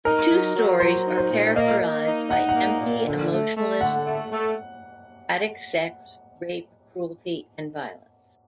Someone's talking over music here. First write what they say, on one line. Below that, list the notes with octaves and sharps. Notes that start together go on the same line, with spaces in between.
The two stories are characterized by empty, emotionless, phatic sex; rape; cruelty; and violence.
D#4 A#4
F#3
F#3
F#3 C5
D#4
C5
A#2
A#3 D#5
A#3
D#4
D#4 F#5
F#5
A#3
A#2
D3
A3
A3
D3 F#5
A3
A3